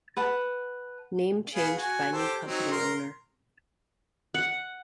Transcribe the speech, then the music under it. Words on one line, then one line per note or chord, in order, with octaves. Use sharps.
Name changed by new company owner.
B4 F#5 A5
B3 G#4 F5
F#4 G#5
G4 A4 C5
F#3 C4 D#4
A#4 C6
F#5